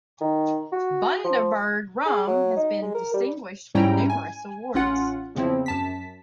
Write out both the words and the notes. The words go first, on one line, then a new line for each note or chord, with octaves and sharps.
Bundaberg Rum has been distinguished with numerous awards.
D#3
F#4
F3
G#4
F#3
D#4
G#3
A#4
G3
G#2 G3 C#4 E4 G5 A#5
G#5
A1 C#4 F4 F#5
E2 C#3 F3 C4 E4
F#2 A5 B6